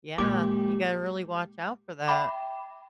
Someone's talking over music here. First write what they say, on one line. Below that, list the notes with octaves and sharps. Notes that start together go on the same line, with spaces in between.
yeah, you gotta really watch out for that.
A#2 G#3 G4 D6
E5 G5 B5 D6